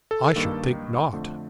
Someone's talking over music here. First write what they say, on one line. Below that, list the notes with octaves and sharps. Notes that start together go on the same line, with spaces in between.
"I should think not."
A4
G2 D#3 A#3
F2 D3 A3